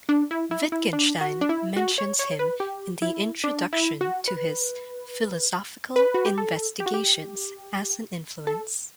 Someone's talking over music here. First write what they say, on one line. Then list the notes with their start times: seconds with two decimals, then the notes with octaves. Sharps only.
Wittgenstein mentions him in the introduction to his "Philosophical Investigations" as an influence.
0.09 D4
0.31 E4
0.51 E4
0.72 E4
0.93 D4
1.21 F#4
1.41 D4
1.49 E4
1.76 F#4
1.98 C#5
2.19 C#5
2.39 B4
2.60 G4
3.02 E4
3.44 D4
3.73 E4
4.01 F#4
4.28 B4
5.96 B4
6.14 F#4
6.26 G4
6.38 A4
6.80 G4
6.86 F#4
6.94 G4
8.47 A4